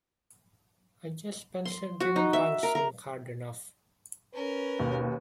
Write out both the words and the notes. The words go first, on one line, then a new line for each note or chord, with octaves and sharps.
I guess Spencer didn't punch him hard enough.
C6
F#4
D#4
E5
A#4
A#4
C#4 A#4 B4
D#2 B2